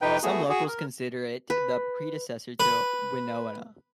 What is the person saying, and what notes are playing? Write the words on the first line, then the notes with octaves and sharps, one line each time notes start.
Some locals consider it the predecessor to Winona.
F2 C3 D#4 B4 G5
A3 B3 F#4 G#4
F#4 G#4
A#4
B4
B4